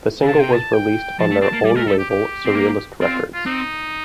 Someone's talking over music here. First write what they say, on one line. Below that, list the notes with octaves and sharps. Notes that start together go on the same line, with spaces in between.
The single was released on their own label, Surrealist Records.
D3
C3 A5
G5
A5
G5
F3 A5
A3
C4 A5
A#3
G3 D5
A3 A#4
G3 A4
G4
G4
C4
A#3
C4 F4
F4
C4 D#4